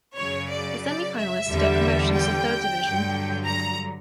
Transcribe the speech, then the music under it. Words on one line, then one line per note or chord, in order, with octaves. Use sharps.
The semifinalists get promotions to third division.
F#2 C#3 F#3 C#5
D5
D5
E5
E2 D3 G3
G5
G2 D3 F#3
A#5